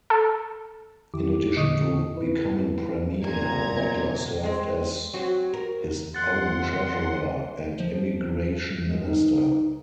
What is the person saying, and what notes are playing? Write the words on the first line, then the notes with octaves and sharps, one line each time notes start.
In addition to becoming Premier, Butler served as his own Treasurer and Immigration Minister.
A4
F2 D#3 E4 G4 D6
A#2 D3 D#5 C#6 D#6
E4 B4
A#2 A#5 G#6
F#2 B2 F3
G#3 C4
F#3 C4 F#4
A#4
F2 F#5 C6 F#6 A6
F3
G#3
D#4